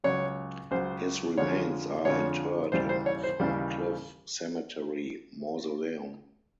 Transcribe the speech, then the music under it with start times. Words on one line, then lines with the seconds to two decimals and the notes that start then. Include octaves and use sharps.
His remains are interred in Ferncliff Cemetery Mausoleum.
0.04 C#2 C#3 F#3 C#5
0.71 C#2 C#3 F#3 C5
1.38 F2 D3 F3 G#3 C#5
2.05 F2 D3 F3 G#3 C#5
2.72 D#2 C#3 E3 G3 C5
2.89 C5
3.06 C#5
3.24 C5
3.40 D#2 C#3 E3 G3